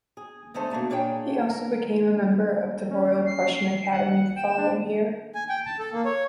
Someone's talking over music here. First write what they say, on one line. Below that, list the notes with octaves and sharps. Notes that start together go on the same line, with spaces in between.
He also became a member of the Royal Prussian Academy the following year.
G#4
E2 D3 G#3 A3 A4 C5
B2 D#3 A3 A#3 D#4
A#2 D4 G#4 C#5 G5
A#4
C#4
C7
F#5
G5 E7
D4
G#5
G5
A5
A4
A#3
C#5